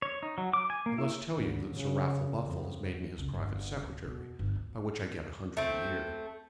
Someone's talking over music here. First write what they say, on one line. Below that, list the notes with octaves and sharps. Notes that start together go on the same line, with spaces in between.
I must tell you that Sir Raffle Buffle has made me his private secretary, by which I get a hundred a year.
C#5
D#4
F#3
D6
G#5
A#3
E4
G#1
C#3
F2
C#2
G1
A1 D2
B2
G1
D2
A3 C4